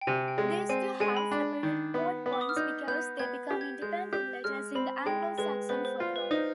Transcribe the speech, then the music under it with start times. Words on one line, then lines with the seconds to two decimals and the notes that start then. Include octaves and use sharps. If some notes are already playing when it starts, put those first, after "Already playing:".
These two have separate codepoints because they become independent letters in the Anglo-Saxon futhorc.
0.01 G5
0.07 C3 G#5
0.28 G5
0.38 G#3
0.48 G5
0.69 C4 G#5
1.00 G#3 G#5
1.17 B5
1.31 D4
1.63 D#3
1.94 B3
2.26 B3
2.33 D6
2.41 D#6
2.49 F6
2.56 D#4 G6
2.87 B3 G6
3.19 B3 G#6
3.51 G4
3.61 G#6
3.82 G#3 G6
4.13 G4 G6
4.44 G#3 F6
4.75 C4 B5
5.06 G#3 G5
5.38 G#3 B4
5.69 B3 C5
5.85 C5
6.00 F4
6.16 B4
6.31 D#4 C5